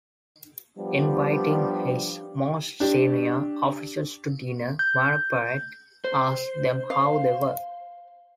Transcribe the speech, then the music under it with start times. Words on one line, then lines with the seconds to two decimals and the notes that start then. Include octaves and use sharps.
Inviting his most senior officers to dinner, Bonaparte asked them how they were.
0.77 F3 G3 B3 D4 G4
2.80 D4 G4
4.79 G6
6.05 C5
6.90 F5